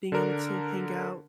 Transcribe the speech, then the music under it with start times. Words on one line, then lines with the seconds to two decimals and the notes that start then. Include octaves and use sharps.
being able to hang out.
0.12 D3 D4 A#4